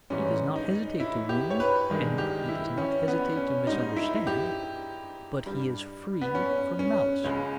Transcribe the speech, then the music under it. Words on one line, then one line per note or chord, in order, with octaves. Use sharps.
He does not hesitate to wound and he does not hesitate to misunderstand, but he is free from malice.
G#2 E3 G3 C#4
D#4
E4
G4
C#5
B4
G2 D#3 G#3
G4
E4
C#4
B3
C#4
G#2 G3 D#4
E4
G4
G2 G3
B3
C#4
C#4
C#2 C#3 G#3